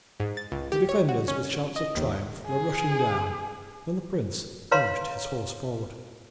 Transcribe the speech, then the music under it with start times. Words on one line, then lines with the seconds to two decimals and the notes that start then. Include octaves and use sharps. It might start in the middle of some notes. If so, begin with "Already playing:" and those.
The defenders with shouts of triumph were rushing down when the prince urged his horse forward.
0.20 G#2
0.37 A6
0.52 C#2
0.72 G4
0.89 C#5
1.09 F#4
1.28 C#4
1.76 D#5
1.96 D#2
2.46 G#4
4.71 B4 C#5 F5 A#5 C6